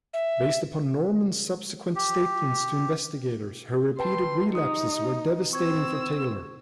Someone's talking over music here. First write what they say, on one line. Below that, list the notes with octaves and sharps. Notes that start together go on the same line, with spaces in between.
Based upon Normand's subsequent statements to investigators, her repeated relapses were devastating for Taylor.
E5
G4
B4 G5 A5 C6
D#4 G4 D#6
C4 C#6 E6 G#6